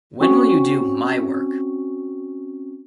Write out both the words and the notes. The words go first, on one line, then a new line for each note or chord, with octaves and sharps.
When will you do my work?
C4 C#4 F#4 C#6